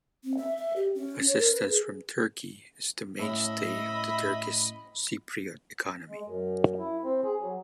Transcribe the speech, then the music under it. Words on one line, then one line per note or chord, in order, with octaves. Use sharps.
Assistance from Turkey is the mainstay of the Turkish Cypriot economy.
C4
E5
E5
G4
C#4
C#5
A#4
B4
G#4
A2 C#4 D#5 E5 B5
G#3
F#2
E4
C4
G#4
F#3